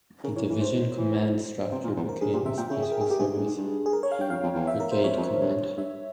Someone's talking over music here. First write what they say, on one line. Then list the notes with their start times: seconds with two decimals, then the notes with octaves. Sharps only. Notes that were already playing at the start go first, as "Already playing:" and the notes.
The Division command structure became a Special Service Brigade command.
0.24 C#3 A#4
0.36 E3 C#5
0.49 E3
0.61 C5
0.97 E3
1.72 C3
1.84 A#2
1.97 E2
2.09 A#4
2.21 G2 G#4
2.33 A#2 G4
2.45 C3 E5
2.57 A#2 G5
2.70 C#3 G#4
2.82 G#4
2.92 A#4
3.01 G#4
3.10 G4
3.20 G2 G#4
3.32 G#2
3.38 G2
3.45 G#2
3.57 G2
3.86 G#4
3.93 A#4
4.03 C#5
4.12 F5
4.19 G2 G5
4.30 F2 F5
4.43 F2
4.54 E2
4.67 E5
4.80 A#4
4.92 C5
5.04 F2 C#5
5.17 F2
5.41 G2
5.78 G2 E5